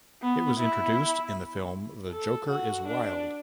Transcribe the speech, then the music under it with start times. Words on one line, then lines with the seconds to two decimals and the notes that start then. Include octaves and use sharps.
It was introduced in the film The Joker Is Wild.
0.22 B3
0.60 E4
2.11 A4
2.49 F#4
2.87 D4